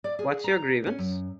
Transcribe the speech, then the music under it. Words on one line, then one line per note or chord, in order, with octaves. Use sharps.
What’s your grievance?
D5
G#4
A#5
C#4
F#2